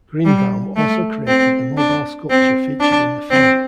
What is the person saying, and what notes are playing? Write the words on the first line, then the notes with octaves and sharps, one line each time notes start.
Greenbaum also created the mobile sculpture featured in the film.
G3
A3
C4
D4
C4
D4
C4